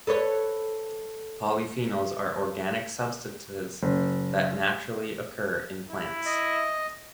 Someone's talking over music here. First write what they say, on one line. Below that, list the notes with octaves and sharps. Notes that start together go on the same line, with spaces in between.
Polyphenols are organic substances that naturally occur in plants.
A4 B4 C#5
F#1
E4
D#5